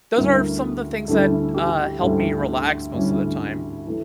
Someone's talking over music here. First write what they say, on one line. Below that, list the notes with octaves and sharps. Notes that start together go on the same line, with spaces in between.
Those are some of the things that, uh, help me relax most of the time.
D2 D3 G3 C#4 E4 A#4
D2 D3 G3 C#4 E4 A4
G4
D2 D3 G3 C#4 E4 A4
D2 D3 G3 C#4 E4
E3 A3